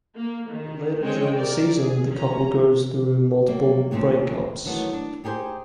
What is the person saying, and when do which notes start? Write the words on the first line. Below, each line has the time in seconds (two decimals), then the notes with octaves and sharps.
But later during the season the couple goes through multiple breakups.
0.15 A#3
0.50 D#3
1.02 G#3 C4 G#4 C#5 D#5 G5
1.35 A#4 D5
1.76 G#4
2.09 C#4 A#5
3.48 F#3 G3 A#3
3.91 D#2 A#2 C#3 A3 C4
4.65 D#3 E3 F#3 A3 B3
4.93 D4
5.24 D#4 G4 G#4 A#4 C5